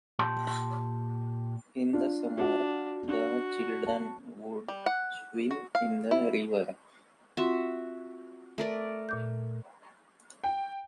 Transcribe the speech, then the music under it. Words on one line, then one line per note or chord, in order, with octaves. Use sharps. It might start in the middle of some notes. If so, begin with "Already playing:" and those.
In the summer the children would swim in the river.
A#2 G4 A5 C6
D4 F4
D4 F4 F#4
D4 F#4
A5
G3
F#5
F#4
F5
E4
C4 F4 F#4 E5 C6
A3 A#4 D5
A#2 D6 G6
G5